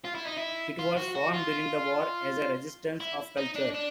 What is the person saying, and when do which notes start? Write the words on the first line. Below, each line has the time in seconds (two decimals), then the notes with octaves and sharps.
It was formed during the war as a "resistance of culture".
0.05 F4
0.15 E4
0.26 D#4
0.37 E4
0.79 F4
0.97 F#4
1.15 F#4
1.34 F4
3.00 E4
3.37 D#4
3.56 D4
3.75 D4